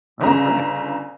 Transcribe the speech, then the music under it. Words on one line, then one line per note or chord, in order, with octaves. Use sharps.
Oh, great.
G1 C#3 A#5